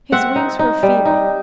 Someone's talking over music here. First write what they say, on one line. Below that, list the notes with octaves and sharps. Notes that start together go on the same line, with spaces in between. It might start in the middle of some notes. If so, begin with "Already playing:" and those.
His wings were feeble.
C4 E5 F#5
D#4
D#4
G3
D#4